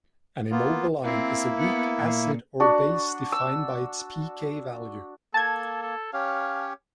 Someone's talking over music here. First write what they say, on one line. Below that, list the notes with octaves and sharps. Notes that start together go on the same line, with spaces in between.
An Immobiline is a weak acid or base defined by its pK value.
A#3 B3 F4
A#3 C4 E4
B3
A#2
D4 F#4
E6
A#3 A4 A5 G#6
A4
C#4 G4 C#5 F5